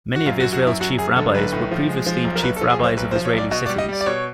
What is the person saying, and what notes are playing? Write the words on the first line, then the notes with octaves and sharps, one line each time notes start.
Many of Israel's chief rabbis were previously chief rabbis of Israeli cities.
F#4
F#2 F4
F#4
F#2
F#4
F#2 E4
F#2 F#4
F#2 G#4
D3 A4
B1 B4
A2
F3
G#3
F3
B1
A#4
B1 B4
A4
F3
G#4
B1 C5
B1 B4
C5
F3
C#5
B1 D5
B2 D#5
D5
G3
D#5
G3 D5
D5
B2 C#5